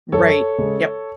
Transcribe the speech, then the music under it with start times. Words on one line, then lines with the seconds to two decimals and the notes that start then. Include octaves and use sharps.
Right. Yep.
0.12 F#2 A4 C#5
0.58 C#3 G#3